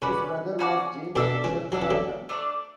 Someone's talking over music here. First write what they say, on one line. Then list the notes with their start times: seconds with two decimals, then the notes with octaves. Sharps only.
His brother was James Mitchell Varnum.
0.02 C#3 C#4 F#4 B4 D5
0.59 C#4 F#4 B4 D5
1.16 B2 D3 D4 A4 E5
1.44 C#3 E3
1.72 F#3 D4 A4 E5
1.82 E3
1.90 D3 F#3
2.29 A3 D4 A4 D5